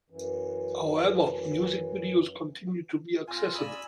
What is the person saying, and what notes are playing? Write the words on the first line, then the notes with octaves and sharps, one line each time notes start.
However, music videos continue to be accessible.
F#2 E3
F4 G#5 A#6
D5 G#5 B5 D#6 E6